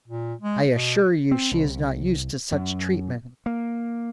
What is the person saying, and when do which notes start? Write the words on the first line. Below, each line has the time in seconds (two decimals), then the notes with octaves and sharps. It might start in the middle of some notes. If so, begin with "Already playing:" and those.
I assure you she is not used to such treatment.
0.08 A#2
0.41 G#3
0.72 B2
1.31 C4
1.51 C2
2.52 F#2
3.46 A#3